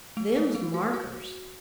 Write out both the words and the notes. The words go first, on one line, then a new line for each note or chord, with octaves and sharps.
Them's markers.
A3
A3
A3
F#4
F#4